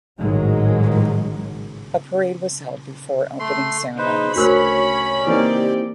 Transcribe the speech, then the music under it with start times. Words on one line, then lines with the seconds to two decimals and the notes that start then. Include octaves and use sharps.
A parade was held before opening ceremonies.
0.19 A1 G#2 D#3 F#3 G#3
3.40 A3 C6
3.98 D#4 G#4 B4 C5
4.36 D2 C#4 F#4 A#4 C5 C#5 B5
5.27 E3 A#3 C4 D#4 G4 D5